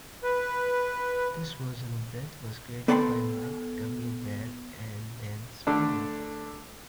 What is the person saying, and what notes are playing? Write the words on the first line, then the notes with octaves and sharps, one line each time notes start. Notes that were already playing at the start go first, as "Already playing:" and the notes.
This version of Death was created by Mike W. Barr and Dan Spiegle.
B4
B3 A4 D5 G5 A5 C6
D3 A3 D4